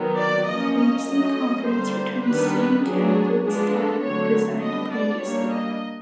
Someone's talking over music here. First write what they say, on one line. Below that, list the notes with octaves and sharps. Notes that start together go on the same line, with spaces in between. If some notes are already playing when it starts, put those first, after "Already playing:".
The Muslim Conference returned the same candidates that had resigned previously.
Already playing: D#3 F#3 B3
D5
F3 A#3 C#4 D#5
D#5
F#3 A3 C#4 D#5
D3 G3 A#3 C5
D#3 G3 B3 D4 B4
F#3 B3 D4 G#4
F3 G#3 B3 D4 G#4
A4
D3 F#3 A3 C4 C#5
G3 B3 D4 D#5
D5
G3 A#3 D4 C#5
D#5